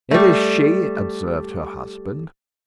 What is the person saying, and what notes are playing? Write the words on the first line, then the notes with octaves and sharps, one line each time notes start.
"It is she," observed her husband.
G3 A3